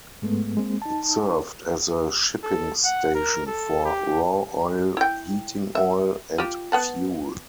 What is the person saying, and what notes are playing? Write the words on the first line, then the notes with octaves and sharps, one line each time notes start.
It served as a shipping station for raw oil, heating oil, and fuel.
G#2 G#3 A3 B3
G#3 A#3 C4
D#4 A5
A4
F#5
A#4
A4
G4
E4 G5
E5
F4 G4
B3 F#5 A5